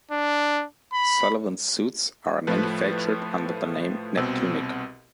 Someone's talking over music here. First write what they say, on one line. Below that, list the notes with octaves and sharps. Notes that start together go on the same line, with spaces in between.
Sullivan's suits are manufactured under the name "Neptunic".
D4
B5
A2 F3 A3 B4
C2 B2 C4 E6